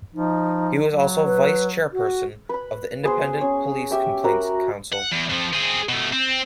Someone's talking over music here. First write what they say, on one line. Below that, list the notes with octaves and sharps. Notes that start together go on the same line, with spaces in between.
He was also vice-chairperson of the Independent Police Complaints Council.
F3 D#4
F#3
B4
F#4
B4 B5
B3 G#4 C5
C#4
G4 E5 G5
F#4 A#4 B5
F#5
E2
F2 F3
C4 G#4
B2 A3
C4